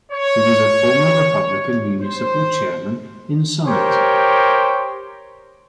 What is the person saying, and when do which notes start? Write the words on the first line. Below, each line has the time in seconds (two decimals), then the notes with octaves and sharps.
He was a former Republican Municipal Chairman in Summit.
0.12 C#5
2.00 C5
3.67 G4 A#4 C5 C#5